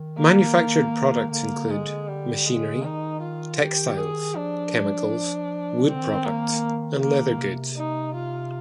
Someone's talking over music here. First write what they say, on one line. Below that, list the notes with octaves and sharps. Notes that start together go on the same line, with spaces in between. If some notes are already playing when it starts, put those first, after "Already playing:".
Manufactured products include: machinery, textiles, chemicals, wood products, and leather goods.
Already playing: D#3
A#3
D3 A#3
G#3
G3
G#3
D#3 D#4
F4
G4
G#4
F3 D4
D#3 C4
D3
D#3
A#3
A#3
C3
D#4
F4